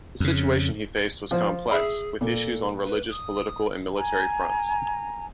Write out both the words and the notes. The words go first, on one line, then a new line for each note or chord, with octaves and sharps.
The situation he faced was complex, with issues on religious, political and military fronts.
F2 C#3
F3 C5
G#4 E5 B5
A#2 A4
B4
D#6
G#5 A#5